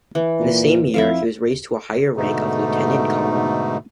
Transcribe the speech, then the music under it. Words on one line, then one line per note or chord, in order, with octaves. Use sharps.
In that same year, he was raised to a higher rank of lieutenant colonel.
E3
A#2
F2 E4 E5 F5
G#2 B2 D3 A3 D#4